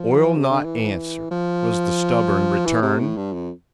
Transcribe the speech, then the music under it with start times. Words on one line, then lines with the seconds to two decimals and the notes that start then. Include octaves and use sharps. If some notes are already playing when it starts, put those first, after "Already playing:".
"Oi'll not answer," was the stubborn return.
Already playing: F3
0.37 C3
0.50 D3
0.65 E3
1.31 F3
2.65 E3
2.82 C3
3.00 A2
3.17 G2
3.33 F2